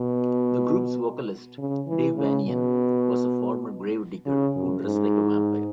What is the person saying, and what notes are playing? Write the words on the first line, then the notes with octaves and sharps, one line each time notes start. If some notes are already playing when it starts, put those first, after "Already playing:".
The group's vocalist, Dave Vanian, was a former gravedigger who dressed like a vampire.
Already playing: B2
C#3
E3
C#3
B2
C#3
F#2
G#2